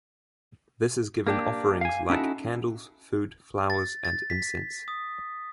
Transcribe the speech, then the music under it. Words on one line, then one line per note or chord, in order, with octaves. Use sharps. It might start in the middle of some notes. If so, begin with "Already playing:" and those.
This is given offerings like candles, food, flowers, and incense.
A#3 D4 G4
F5 G#5
C#4 D#4 E4 F#4 A4
A6
A6
B6
D#6